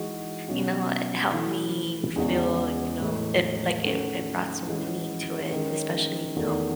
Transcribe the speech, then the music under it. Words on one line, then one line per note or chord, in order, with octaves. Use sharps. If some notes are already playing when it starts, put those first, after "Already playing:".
you know, it helped me feel you know, it like, it it brought some meaning to it, especially, you know
Already playing: E3 G#3 D#4 F#4
B2 F#3 C#4 F#4
E3 A3 E4
E2 C#3 G#3 B3 F#4
A2 E3 G#3
D#3 A3 C#4 F#4
E3 G#3 C#4 F#4
D#3 G#3 C#4
E2 D#3 A3 D#4 F#4